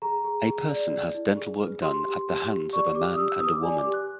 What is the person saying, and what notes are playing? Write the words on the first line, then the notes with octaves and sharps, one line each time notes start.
A person has dental work done at the hands of a man and a woman.
G#4 A#5
G#4
G#4
D5
D5
E4
G#4
B4
G4 C6
G4
G4
G4
D5 C#6
G4 D6
D#6
G4 E6
E6
B4 D#6
D6
D5 G#5
D6
G4
F#6